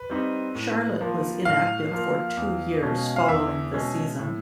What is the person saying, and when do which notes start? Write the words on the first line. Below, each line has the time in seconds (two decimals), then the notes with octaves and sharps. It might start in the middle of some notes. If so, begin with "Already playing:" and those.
Charlotte was inactive for two years following the season.
Already playing: B4
0.10 G3 C4 D#4
0.55 A2
1.01 F3 A#3
1.45 A2 F5
1.91 F3 A#3
2.37 E2
2.82 B2 G#3 C#4
3.16 F5
3.28 E2 E5
3.74 B2 G#3 C#4
4.19 A2